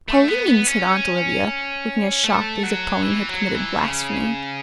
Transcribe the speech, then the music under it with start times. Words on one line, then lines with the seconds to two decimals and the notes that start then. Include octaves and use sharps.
"Pauline!" said Aunt Olivia, looking as shocked as if Pauline had committed blasphemy.
0.08 A3
0.28 B3
0.48 B3
0.67 C#4
2.24 A3
2.63 F#3
3.02 E3
3.29 F#3
3.55 E3
3.81 C#3